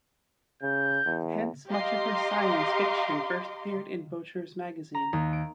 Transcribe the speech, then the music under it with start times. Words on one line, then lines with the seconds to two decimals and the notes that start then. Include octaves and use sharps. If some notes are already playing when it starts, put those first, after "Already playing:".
Hence much of her science fiction first appeared in Boucher's magazine.
0.62 C#3 G6
1.06 E2
1.70 G4 D#5 F5 A#5 C6 D6
4.94 A#5
5.13 D#2
5.33 D7